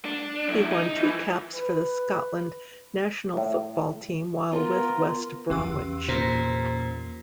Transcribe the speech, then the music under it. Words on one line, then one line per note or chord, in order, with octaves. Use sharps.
He won two caps for the Scotland national football team while with West Bromwich.
D4
F#2 E4
D#4
E3 F3
B4
A2
B3 F4 A#4
E2 C#4 G4 E6
A#2 C5 A#5 F6